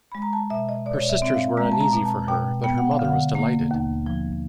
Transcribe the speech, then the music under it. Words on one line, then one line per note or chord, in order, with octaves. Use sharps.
Her sisters were uneasy for her, but her mother was delighted.
G#3 B5
A#5
A5
B2 E5
D#5
B2 D5
C#5
D5
E5
C4 E5
F5
G#3 A#5
A5
A#5
B2
A5
B2 G5
B3 G5
F#5
F5
D3
F#5
A#3
D#2
F3